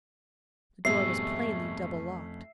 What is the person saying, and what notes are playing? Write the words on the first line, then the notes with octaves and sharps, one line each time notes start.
The door was plainly double-locked.
F2 G#2 B2 G3 A3 C#4 E5 C7